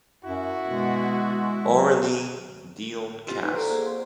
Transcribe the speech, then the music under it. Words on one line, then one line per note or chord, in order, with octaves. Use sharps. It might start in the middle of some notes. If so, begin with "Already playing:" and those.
Orelli; Dion Cass.
F#2 E4 F#4
B2 G#3
F#3
F4 G4
F3 D#4 F#4 B4
A4 C5 D5 A#5
A#3 G#4
C4 D5 C6